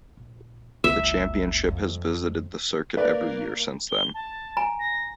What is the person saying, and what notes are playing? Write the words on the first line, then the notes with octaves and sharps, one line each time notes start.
The championship has visited the circuit every year since then.
A#1
F#1 C#2 E5
F2 D4
A#3 A#4 B4 D5
G7
A5
G#5 A#5
A#6